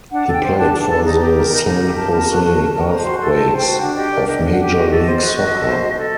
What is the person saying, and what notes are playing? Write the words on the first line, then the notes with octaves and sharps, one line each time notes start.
He played for the San Jose Earthquakes of Major League Soccer.
D4 F#5
A4
G5
C5
D4 A5
D4
A5
A4
D#4 A#5
G4
A#4
D#4
D#4
G4
A#4 A5
A#4
F#4
F#4
A#4
A#4
C5 A#5
F#4 C6
A4 C6
D#4 A5
C5
G5
F#4
D4 F#5
G4 D#5
A#4 D5
D4 D#5
D4
F#5
G4
F#4 D#5
A4
C5
F#4
F#4
A4
C5
F#4
A4